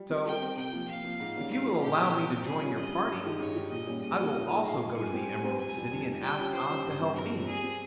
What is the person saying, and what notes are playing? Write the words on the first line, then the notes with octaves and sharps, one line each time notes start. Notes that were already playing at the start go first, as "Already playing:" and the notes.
"So, if you will allow me to join your party, I will also go to the Emerald City and ask Oz to help me."
Already playing: G3
C4 G4 A#4
G3 G5
C4 G4 A#4
C3 G5
F3 A#3
C3 F5
F3 A#3
G#2
G3 A#3 C#4 F4
G#2 F5
G3 A#3 C#4 F4
A#2 G4
G3 C4
A#2
G3 C4
G3 G#4
C#4 F4
G3 D#5
C#4 F4
G2
D#3 G#3 D#4 G4
G2 C#5
D#3 G#3 D#4 G4
A#2 D#5
G3 A#3 C#4 G#4
A#2 D#5
G3 A#3 C#4 G#4
A#2
G#3 D#4 G#4
A#2 F5
G#3 D#4 G#4
G3 G#5
C4 G4 C5
G3
C4 G4 C5
F2 G#5
C3 G3
F2
C3 G3
G3 G5
C#4 G4
G3 C5
C#4 G4
G2
G3 C4
G2 A#4
G3 C4
G3 G#4
C4 G4